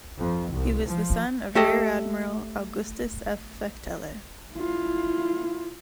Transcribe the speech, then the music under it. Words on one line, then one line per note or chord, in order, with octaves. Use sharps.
He was the son of Rear Admiral Augustus F. Fechteler.
F2
C2
F3
A3 G4 A4 D#5
E4 F4